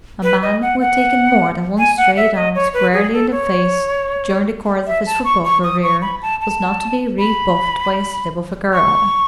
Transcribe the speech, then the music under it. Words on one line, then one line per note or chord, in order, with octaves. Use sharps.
A man who had taken more than one straight arm squarely in the face during the course of his football career was not to be rebuffed by a slip of a girl.
B4
D#5
F#5
F#5
G#5
F#5
E5
D#5
C#5
B4
G#4
A4
C#5
E5
A5
C#6
C#6
D#6
C#6
B5
A5
A5
B5
C#6